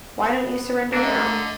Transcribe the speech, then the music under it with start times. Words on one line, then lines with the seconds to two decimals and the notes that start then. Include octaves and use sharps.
Why don't you surrender now?
0.18 B3
0.92 D3 A3 A#3 D4 F#4 D#5